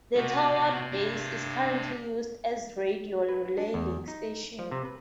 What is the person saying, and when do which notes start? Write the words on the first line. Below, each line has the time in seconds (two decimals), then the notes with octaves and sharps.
The tower base is currently used as radio relay link station.
0.16 C3 B3 F#4
0.93 D4 G4
3.29 B4
3.58 D4
3.74 E2
4.08 D#4
4.59 F3
4.71 C3
4.85 B4